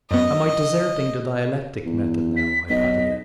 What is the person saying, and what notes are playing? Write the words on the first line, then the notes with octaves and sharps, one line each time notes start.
Am I deserting the dialectic method now, Hypatia?....
F#2 B3 D#5
E2
B6
B1 D#5 B6